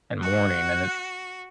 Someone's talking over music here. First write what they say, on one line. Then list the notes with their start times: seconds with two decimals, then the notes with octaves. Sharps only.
and morning, and it
0.21 F#4 F#5